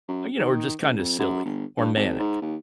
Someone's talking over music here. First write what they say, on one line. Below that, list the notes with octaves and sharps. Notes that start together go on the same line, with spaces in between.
eh, you know, are just kinda silly or manic.
F#2
D#3
C#2
F2
F#2
G1
G2
G#1
G#2
D#2